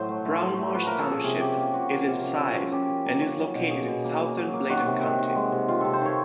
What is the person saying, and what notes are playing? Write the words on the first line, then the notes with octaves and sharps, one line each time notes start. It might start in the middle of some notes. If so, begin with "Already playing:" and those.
Brown Marsh Township is in size and is located in southern Bladen County.
Already playing: A2 F#3 C5
A3
A3
F#3
A3
F3 B4
A#3 A#4
A4
C#4 G#4
C3 G#4
A#3 G4
A#3
F3 F#4
A#3
C3
C#4
C#4
F3
C#4 G4
A#3
A#3
C#4
F#3
B2
A#3 G#4
B2
A#3
A#3
F#3
A#3
D#3 F#4
C3
D#3
D#3
G#3
C3
D#3 F4
C3 A4
C5
D#3 C#5